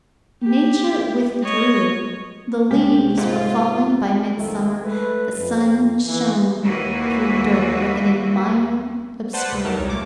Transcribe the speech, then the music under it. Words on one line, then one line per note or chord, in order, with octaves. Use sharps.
Nature withdrew: the leaves were falling by midsummer; the sun shone through dirt with an admired obscurity.
G4
C#5 D#5
C2 G#3 G4
G#2 F4
C2 F2 D#3 F3 A3
A3 B4
F2
E3
D#2 E3 A#3 F#4 B4
B4 C5 D5 F#5 A5 C6
D2 C3
E2 A3 D#4 A#4 A5
C2 C#5
A#2 A3 D6